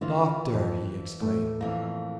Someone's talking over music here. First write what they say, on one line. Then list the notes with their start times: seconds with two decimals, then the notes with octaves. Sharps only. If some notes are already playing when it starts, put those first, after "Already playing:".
"Doctor!" he exclaimed.
0.01 D3 E3 A#3 F4
0.54 F2 F3
1.21 A2 A3
1.61 F2 E3 A#3